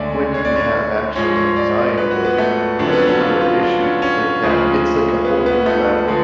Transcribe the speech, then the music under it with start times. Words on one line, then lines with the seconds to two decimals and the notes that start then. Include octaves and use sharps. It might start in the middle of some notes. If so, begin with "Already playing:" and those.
when you have actually anxiety, like, an a disorder or issue, like, that, it's like a whole new level.
Already playing: D2 D3 G#3 C#5 D5
0.34 C#5
0.45 D5
0.56 C#5
1.16 G#2 F3 G#3 C#5
1.36 C#5
1.56 D5
1.98 B4
2.11 F#4
2.25 B3
2.38 A3
2.79 F2 D3 F#3 D4
2.87 C#4
2.93 B3
3.07 C#4
3.21 F4
3.41 F4
3.61 D4
3.82 C#4
4.02 C#4
4.43 D2 C#3 F3 G#3
5.25 B3
5.46 B3
5.66 A3
6.07 D3 F3 G#3